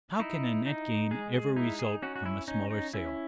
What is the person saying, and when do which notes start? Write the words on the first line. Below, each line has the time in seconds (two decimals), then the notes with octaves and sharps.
How can a net gain ever result from a smaller sale?
0.20 D#4 E4
0.66 D#4
1.11 G#3 G#4
1.34 G#4
1.56 D#4 E4
1.79 G#4
2.02 C#4 F#4
2.16 F#4
2.26 E4
2.48 C#4 D#4
2.70 D#4
2.94 C#4 E4